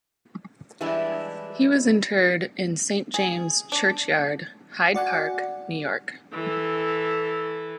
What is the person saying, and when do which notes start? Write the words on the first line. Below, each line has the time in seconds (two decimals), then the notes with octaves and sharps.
He was interred in Saint James Churchyard, Hyde Park, New York.
0.81 E3 G3 G#3 D4 E4
3.14 G#4
3.72 D4
4.94 F#4 D5 F#5 G#5
6.33 E3 A4